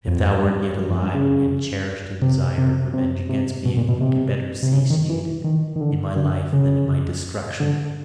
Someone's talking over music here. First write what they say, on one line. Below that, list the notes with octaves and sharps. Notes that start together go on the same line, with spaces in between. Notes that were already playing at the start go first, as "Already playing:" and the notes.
If thou wert yet alive and yet cherished a desire of revenge against me, it would be better satiated in my life than in my destruction.
F2
G2
F#2
F2
G2
C#3
C3
C3
C3
C3
B2
A#2
B2
C3
C3
C#3
D#3
E3
D#3
D#3
D3
D3
C#3
D3